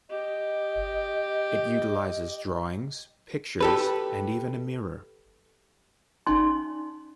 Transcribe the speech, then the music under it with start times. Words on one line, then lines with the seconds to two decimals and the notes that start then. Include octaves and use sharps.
It utilizes drawings, pictures, and even a mirror.
0.10 G4 D#5
3.60 G4 A4 B4
6.26 C#4 D#4 D5 G#5 C6